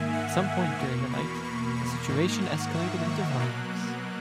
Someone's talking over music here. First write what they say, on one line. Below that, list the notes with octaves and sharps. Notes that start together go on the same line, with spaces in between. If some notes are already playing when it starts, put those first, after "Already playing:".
At some point during the night, the situation escalated into violence.
Already playing: G#2 D#3 A#3 E5 G#5
F#5
E2 B2 A#3 C#6
B5
C#6
C#6
G#2 D#3 A#3 C#6
F#5
E5
C#6
B2 F#3 A#3 F#6
F#6